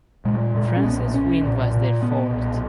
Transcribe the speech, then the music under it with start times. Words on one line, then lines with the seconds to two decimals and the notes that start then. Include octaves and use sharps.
France's win was their fourth.
0.25 A#2 G#3
0.54 A#2 G#3
0.76 C#4
0.84 B1 B3
1.14 B1 C#4
1.43 A#2
1.72 A#2
2.02 A#2 B3
2.31 B1